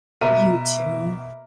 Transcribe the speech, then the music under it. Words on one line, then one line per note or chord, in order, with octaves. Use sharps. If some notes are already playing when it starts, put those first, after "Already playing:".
You too.
B2 A#3 A#4 E5 D#7